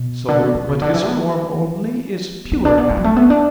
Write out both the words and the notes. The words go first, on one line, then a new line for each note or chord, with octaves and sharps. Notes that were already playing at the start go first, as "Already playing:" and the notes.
So what is form only is pure act.
Already playing: B2
D3
B2
D3
B2
D3
E3
B3
E3
B3
B3
D4
B3
A3
F#3
A3
B3
D4